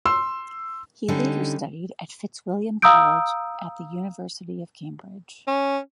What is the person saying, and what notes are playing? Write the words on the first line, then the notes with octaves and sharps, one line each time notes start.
He later studied at Fitzwilliam College at the University of Cambridge.
C6 E6
D3 G3 C#4 D#4
F5 A#5 D#6 E6 G6 D7
C#4